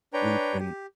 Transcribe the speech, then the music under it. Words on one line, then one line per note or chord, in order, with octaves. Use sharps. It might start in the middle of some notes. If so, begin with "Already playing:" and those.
we've been
D4 B4 C#5 G5 A#5
G4